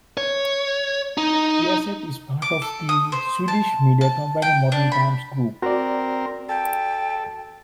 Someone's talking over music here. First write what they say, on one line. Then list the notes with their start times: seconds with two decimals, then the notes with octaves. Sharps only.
Viasat is part of the Swedish media company Modern Times Group.
0.17 C#5
1.18 D#4
2.42 D6
2.62 A4
2.89 D#6
3.12 C5
3.48 A5
4.01 A5
4.42 G5
4.72 D4
4.92 B5
5.62 C4 F#4 A#4 D5
6.49 A4 G5